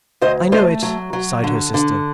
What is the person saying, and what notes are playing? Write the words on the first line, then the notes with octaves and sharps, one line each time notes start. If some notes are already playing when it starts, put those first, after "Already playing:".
"I know it," sighed her sister.
D2 C5 D#5
A3 C5 D#5
F#3
F#3
D3
D3